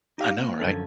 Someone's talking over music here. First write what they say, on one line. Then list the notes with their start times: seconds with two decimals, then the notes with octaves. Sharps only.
I know, right?
0.18 D#4 G4 E5 F5
0.39 A#3
0.60 F#2 D3 F3 C#4 A4